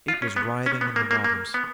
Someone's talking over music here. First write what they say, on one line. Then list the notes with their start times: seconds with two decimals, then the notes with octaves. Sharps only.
It was writhing in the waters.
0.08 F4
0.22 C#4
0.36 B3
0.66 C#4
0.81 B3
0.96 A#3
1.11 A#3
1.24 A#3
1.54 B3